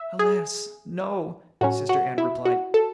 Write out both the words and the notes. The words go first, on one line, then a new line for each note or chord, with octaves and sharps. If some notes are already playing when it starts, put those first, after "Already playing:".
"Alas, No!" Sister Anne replied.
Already playing: E5
G#4
A2 F#3 C#4 F#4
F#4
E4
F#4
A4